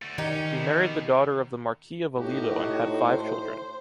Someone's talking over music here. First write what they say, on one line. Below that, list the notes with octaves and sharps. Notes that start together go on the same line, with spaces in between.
He married the daughter of the Marquis of Aledo and had five children.
A3 F#4
D#3 C#4 D#4 G4
B2
A2 D#4 F#4 G4
C5